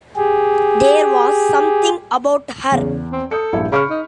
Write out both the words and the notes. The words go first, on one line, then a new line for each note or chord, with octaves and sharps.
There was something about her.
G4 G#4
E2 C#3
C4
A4 D#6 G6 C#7
A#1 G2 E4
C#3 B5 C#6 F6
D#4